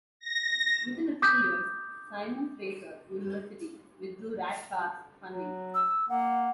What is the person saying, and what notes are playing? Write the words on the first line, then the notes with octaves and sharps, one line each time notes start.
Within a few years, Simon Fraser University withdrew Rat Park's funding.
A#6
D6 D#6 G6 B6
F#3
E6
A#3 F#5